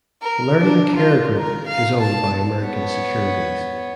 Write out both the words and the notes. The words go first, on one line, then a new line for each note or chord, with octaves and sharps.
Learning Care Group is owned by American Securities.
A#4
D4
F4
A#4
F5
A5
B3 C#5